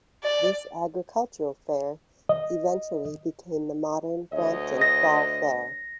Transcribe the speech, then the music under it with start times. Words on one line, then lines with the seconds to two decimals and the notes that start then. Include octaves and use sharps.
This agricultural fair eventually became the modern Brampton Fall Fair.
0.24 D5
2.29 D#5
4.33 D2 C#5 D#5
4.81 A#6